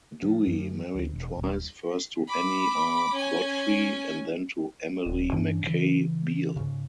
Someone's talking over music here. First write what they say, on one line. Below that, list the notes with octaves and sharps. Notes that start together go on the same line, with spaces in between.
Dewey married twice, first to Annie R. Godfrey, and then to Emily McKay Beal.
F3
F#2
D2
E1
D#1
B5 D6
C#4 G#5
D#1
G2 E3 C#4 D4
C#3 E3
G#2 C#3